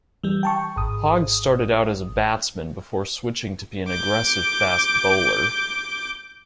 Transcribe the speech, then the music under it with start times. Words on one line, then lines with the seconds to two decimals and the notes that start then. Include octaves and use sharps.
Hogg started out as a batsman before switching to be an aggressive fast bowler.
0.24 E3 G3
0.43 G5 A5 C#6
0.76 G#1 D#6
3.89 D6 G6